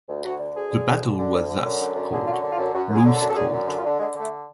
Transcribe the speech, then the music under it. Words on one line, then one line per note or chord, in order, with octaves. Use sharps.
The battle was thus called "Lose-coat".
D2
D2 F#4
D3
D2 G#4
D3
D2
D3
D3
D2
D3
F#2
D3
F#2
D3 G#4
F4
F#2 F#4
D3
F4
F#2
F#2 F#4
F#2
G#4
D3
A4
F#2
A4
D3 G#4
F#2
D3
F4
D3
D3 G#3
D3
A3